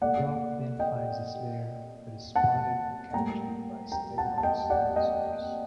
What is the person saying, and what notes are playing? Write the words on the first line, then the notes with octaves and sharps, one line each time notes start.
Brock then finds his lair, but is spotted and captured by Stegron's dinosaurs.
A#2 A3 D5 F#5
D#5 G5
F#5 A5
A2 G3 A#3 G5 A#5
G5 A#5
F#5 A5
A5
D#5 G5
D5 F#5
D#5 G5